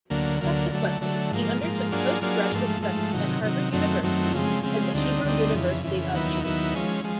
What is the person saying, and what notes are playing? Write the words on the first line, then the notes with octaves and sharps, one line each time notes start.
Subsequently, he undertook postgraduate studies at Harvard University and the Hebrew University of Jerusalem.
D2 D3 F#3 A#3
D2 D3 F#3 A#3
D3 F#3 A3
D3 F#3 A3
G#2 F3 A#3
G#2 F3 A#3
F#3 A#3 D4 F4 G#4
F#3 A#3 D4 F4 G#4
G#2 F3 A3
G#2 F3 A3
C3 D#3 F#3
C3 D#3 F#3
F#2 D#3 F#3 A3 C4
F#2 D#3 F#3 A3 C4
C#3 F3 G#3 C4
C#3 F3 G#3 C4
D2 D3 G3 C4 D#4
D2 D3 G3 C4 D#4
F2 C#3 E3
F2 C#3 E3
D#2 D#3 F#3 B3 E4
D#2 D#3 F#3 B3 E4
F3 G#3 C#4
F3 G#3